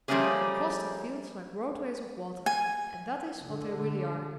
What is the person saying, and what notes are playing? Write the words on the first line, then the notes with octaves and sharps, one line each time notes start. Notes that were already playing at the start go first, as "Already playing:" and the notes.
They cross the fields like roadways of water, and that is what they really are.
F3 G3 A3 A#3 C#4 G#4
G#5
D3